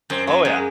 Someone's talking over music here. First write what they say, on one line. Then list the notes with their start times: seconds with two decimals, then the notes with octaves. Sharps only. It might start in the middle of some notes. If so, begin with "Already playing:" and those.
Oh yeah,
0.10 F#2 C4
0.27 F#3 A#3
0.45 F#2 G#3